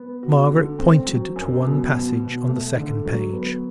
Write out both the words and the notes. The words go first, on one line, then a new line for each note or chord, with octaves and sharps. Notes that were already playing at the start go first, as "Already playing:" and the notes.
Margaret pointed to one passage on the second page.
Already playing: B3
F#4
D3
C4
F#3
F#2
B2
B2
B2
A3
D3
F#3
B3